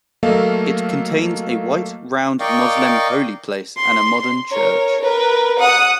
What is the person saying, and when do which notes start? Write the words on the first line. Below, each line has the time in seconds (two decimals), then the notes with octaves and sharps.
It contains a white round Moslem holy place and a modern church.
0.23 F#3 A3 A#3 A4 D#5 F5
2.40 A#4 D5 D#5 F5 G5 C#6
3.77 C6
4.51 A#4 C#5
5.00 A#4 B4
5.59 F#5 D#6